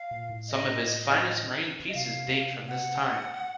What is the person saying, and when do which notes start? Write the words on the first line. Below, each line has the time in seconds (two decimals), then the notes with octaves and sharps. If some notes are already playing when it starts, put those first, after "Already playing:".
Some of his finest marine pieces date from this time.
Already playing: F5
0.11 A#2
0.29 A2
0.49 D#5
1.89 D#5
1.95 C3 F5
2.68 F#5